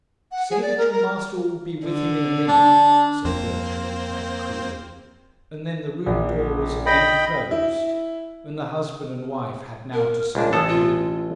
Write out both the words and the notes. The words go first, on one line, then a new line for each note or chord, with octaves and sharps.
'Say that your master will be with him in a minute,' said Gertrude, quite coolly; and then the room door was again closed, and the husband and wife had now to say adieu.
F#5
G#4
D5
A#4
A#4
D3
D4
F2 A#3 C4 C5
A#1
D#5 G5 B5
E4
A#4
C#2 D4
A1 A4 D#6
F4